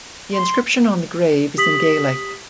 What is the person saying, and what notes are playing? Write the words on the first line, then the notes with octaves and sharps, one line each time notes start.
The inscription on the grave is in Gaelic.
C6
G4 D#6 B6 F#7